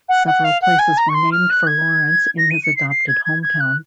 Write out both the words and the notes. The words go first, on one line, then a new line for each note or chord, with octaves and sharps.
Several places were named for Laurence in his adopted hometown.
F#5
F#5
F5
F#5
G#5
A#5
C#6
C6
F6
F#6
G#6
A#6
D#7
C#7
C7
C7
G#6
G#6
G#6
F#6